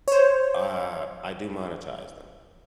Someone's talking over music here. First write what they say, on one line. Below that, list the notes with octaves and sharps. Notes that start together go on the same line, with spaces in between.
uh, I do monetize them.
C5 C#5